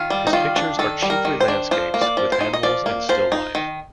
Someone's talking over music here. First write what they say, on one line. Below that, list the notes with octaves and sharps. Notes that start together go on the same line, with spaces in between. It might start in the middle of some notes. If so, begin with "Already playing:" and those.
His pictures are chiefly landscapes with animals and still life.
Already playing: D#3 F4
G3
D#4
D#3 F4
D4
D#3 A4
G3
A#4
D#3
C5
D4
F3 C5
A#3
D5
F3
C5
D#4
D#5
F3 D5
A#3
F3 C5
D#4
D#3